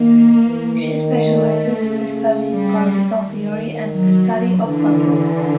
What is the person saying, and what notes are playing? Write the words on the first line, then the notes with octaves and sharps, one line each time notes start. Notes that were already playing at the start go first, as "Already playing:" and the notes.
She specializes in feminist political theory and the study of populism.
Already playing: D#3 A#3
E3
D#3
A3
C#3
G3
D#3
F#3
D3 E3